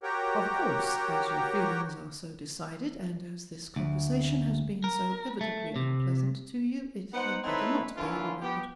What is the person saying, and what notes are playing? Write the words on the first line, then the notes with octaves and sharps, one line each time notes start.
'Of course, as your feelings are so decided, and as this conversation has been so evidently unpleasant to you, it had better not be remembered.
F#4 G4 A#4 C#5 G5
D2
A#4
A3
C3
B3 D#4 C5 F#5
C4 D#4 E4 A4 B4 C#5
D3 E3 A#3 C#4 E4 F4
B3 G4